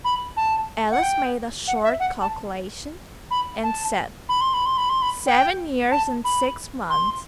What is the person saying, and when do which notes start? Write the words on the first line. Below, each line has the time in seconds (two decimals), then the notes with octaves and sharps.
Alice made a short calculation, and said 'Seven years and six months.'
0.05 B5
0.37 A5
0.92 F#5
1.03 G5
1.67 F#5
1.84 E5
2.00 F#5
2.22 A5
3.31 B5
3.63 A5
4.29 B5
4.41 C6
4.54 B5
4.65 C6
4.77 B5
4.89 C6
5.02 B5
5.26 G5
5.91 A5
6.24 B5
6.90 C6